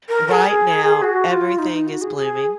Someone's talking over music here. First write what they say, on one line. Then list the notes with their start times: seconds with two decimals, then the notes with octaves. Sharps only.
right now, everything is blooming,
0.09 A#4
0.27 A#4
0.31 G#4
1.02 F#4
1.31 F4
1.58 D#4
1.72 D#4
1.87 F#4
2.01 G#4
2.15 G#4